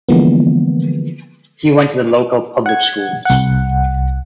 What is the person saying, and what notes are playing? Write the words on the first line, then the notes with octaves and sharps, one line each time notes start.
He went to the local public schools.
D3 E3 F3 G#3 A#3 B3
F#5 G#6
C2 F#5